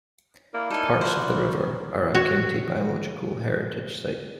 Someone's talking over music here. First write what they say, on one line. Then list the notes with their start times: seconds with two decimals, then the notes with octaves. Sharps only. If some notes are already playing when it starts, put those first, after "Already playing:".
Parts of the river are a County Biological Heritage Site.
0.54 A#3 E4 A#4 D5
0.70 D#4 A4 G#5
1.01 F#4 C5
2.15 F#4 C#5